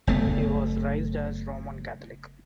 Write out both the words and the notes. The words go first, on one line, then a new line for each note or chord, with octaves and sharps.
He was raised as Roman Catholic.
F#1 A3 B3